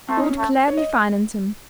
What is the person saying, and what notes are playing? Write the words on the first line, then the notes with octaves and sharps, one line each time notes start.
I would gladly finance him.
A3 C4
D#4
C#4
A3
C#5
D#5